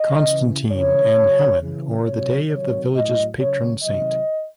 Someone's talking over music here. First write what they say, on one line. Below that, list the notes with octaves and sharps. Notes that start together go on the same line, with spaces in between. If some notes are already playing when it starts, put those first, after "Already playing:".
Constantine and Helen or the day of the village's patron saint.
Already playing: D#5
C#3 E3
C#3 E3 C#5
C#3 F#3
C#3 E3
C3 F#3 C#5
C3 D#3 F#3 C#5
A2 F#3 D#5
C#3 F#3 C#5
C3 D#3 F#3 D#5